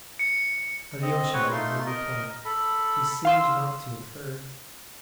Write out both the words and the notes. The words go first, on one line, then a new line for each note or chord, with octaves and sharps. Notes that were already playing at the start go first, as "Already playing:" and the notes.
Alyosha made no reply, he seemed not to have heard.
C#7
C4 D#5
G#3 C4 F#4 B4 C#5 G5
A3 D#4 F4 C6
A#4 D#5
A4 B5
F5 C6 E6